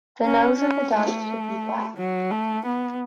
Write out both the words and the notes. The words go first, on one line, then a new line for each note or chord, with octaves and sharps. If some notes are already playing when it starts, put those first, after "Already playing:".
The nose of the dog should be black.
C#4
C#4
A3
F#3
A3
B3